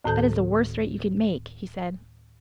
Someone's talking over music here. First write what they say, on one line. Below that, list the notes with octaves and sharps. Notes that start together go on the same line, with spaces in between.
"That is the worst threat you could make," he said.
D2 A2 D#3 A4 A5 G6